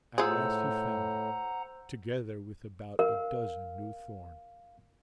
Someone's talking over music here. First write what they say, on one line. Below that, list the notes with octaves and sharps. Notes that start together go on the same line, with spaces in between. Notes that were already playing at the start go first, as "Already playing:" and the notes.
At last he found it, together with about a dozen new thorns.
A2 F4 G#4 C5 F#5 A#5 E6
A#4 F5